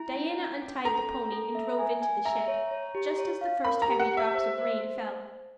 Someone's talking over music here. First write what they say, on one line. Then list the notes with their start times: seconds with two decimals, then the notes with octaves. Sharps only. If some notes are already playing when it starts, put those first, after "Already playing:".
Diana untied the pony and drove into the shed, just as the first heavy drops of rain fell.
Already playing: E4 A#5
0.16 C#4
0.39 C#4
0.62 C#4
0.85 A4 A#5
1.08 C#4
1.32 A4
1.55 E5
1.79 G#5
2.02 G#5
2.25 E5 A#5
2.48 C#5
2.71 C#5
2.95 G4
3.19 C#5
3.41 F5
3.64 A#4 B5
3.82 A#5
3.88 G4
4.00 F#5
4.11 G4
4.17 E5
4.34 C5
4.58 C5
4.81 C5